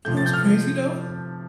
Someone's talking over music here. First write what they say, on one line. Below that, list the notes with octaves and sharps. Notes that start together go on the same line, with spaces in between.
You know, it's crazy though?
C3 F3 A3 G6
A6
G6
F6